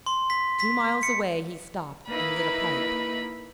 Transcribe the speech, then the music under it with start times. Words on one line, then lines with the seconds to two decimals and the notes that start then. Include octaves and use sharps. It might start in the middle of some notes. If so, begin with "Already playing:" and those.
Two miles away he stopped and lit a pipe.
0.06 C6
0.30 B6
0.60 B6
1.03 C#7
2.08 A#3 D#4 E4 B4 B5